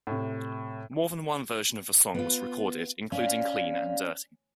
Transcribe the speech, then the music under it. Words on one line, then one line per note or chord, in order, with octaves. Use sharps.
More than one version of the song was recorded including Clean and Dirty.
A2 C3
B3 F4
C#4 D5 F5